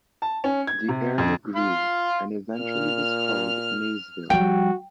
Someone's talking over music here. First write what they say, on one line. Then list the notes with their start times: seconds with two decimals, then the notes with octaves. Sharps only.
The area grew and eventually was called Mayesville.
0.22 A5
0.44 C#4
0.67 G#6
0.88 C3
1.18 F2
1.56 F5 C6
2.58 A#2 F6
4.30 F3 G3 F#4 G5